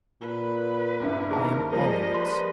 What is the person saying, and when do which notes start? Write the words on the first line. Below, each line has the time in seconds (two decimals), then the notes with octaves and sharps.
I am of it.
0.21 A#2 B4
1.00 C#2 G2 E4
1.31 D#2 G#4 A#4 C5 A5
1.72 F3 G3 G#3 A#3 A#4 D#5
2.14 B4 D#5 C6